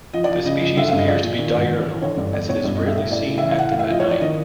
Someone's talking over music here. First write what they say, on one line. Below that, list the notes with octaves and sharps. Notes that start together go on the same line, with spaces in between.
The species appears to be diurnal, as it is rarely seen active at night.
F3 D#5
D5
F3
C#3 D#5
F3 D#5
D3 E5
F5
G2 D#5
F3 D5
A#2
D#3
G#2
E3
E3
D3 C#5
G2 D5
E2 D5
B2 C#5
G2 D5
D#5
G2
E5
A2 E5
A2 D5
C#3
E5
E3
F5
A2 F#5
F5
A2
E5
F3 D#5
C#5
F3
D5
D#3 D#5